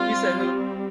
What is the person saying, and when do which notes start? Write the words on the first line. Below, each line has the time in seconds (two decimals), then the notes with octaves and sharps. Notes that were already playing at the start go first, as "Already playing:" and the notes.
You said who?
Already playing: G3 C4 F4